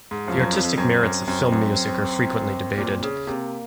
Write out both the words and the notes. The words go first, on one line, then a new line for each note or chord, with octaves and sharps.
The artistic merits of film music are frequently debated.
G#2
F#2 F3
F#2
F2
F2
F#2 C4
F#2
F#2 C4
F#2
A#2
C#3
C3 A#3